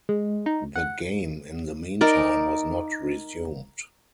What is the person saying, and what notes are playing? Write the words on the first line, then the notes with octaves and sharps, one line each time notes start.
The game, in the meantime, was not resumed.
G#3
D#4
F#5
D#4 A#4 D5